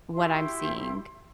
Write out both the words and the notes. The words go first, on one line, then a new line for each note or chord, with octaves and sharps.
what I'm seeing.
E4 F#4 G4 C6